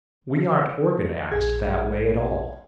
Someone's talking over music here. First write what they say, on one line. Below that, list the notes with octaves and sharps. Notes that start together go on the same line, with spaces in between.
We aren't organized that way at all.
A#1 G#4 G#6